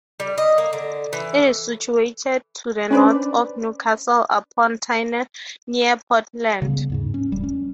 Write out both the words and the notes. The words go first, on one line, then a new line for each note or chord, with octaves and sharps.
It is situated to the north of Newcastle upon Tyne, near Ponteland.
G3
D#5
A#3
D3
E3
C#4 D4 B4 C5 D5
C#3 G3 G#3 B3
D#2 G#2 C#3
C#4
E1 G3
C#4